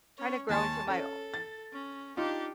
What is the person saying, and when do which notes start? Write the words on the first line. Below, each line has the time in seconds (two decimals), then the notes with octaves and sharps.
trying to grow into my o
0.18 C#4 C#5
0.49 D#2 C#5 G#5 A5 C6
0.87 C#4 A4
1.34 A6
1.72 C#4
2.17 D4 D#4 F4 G4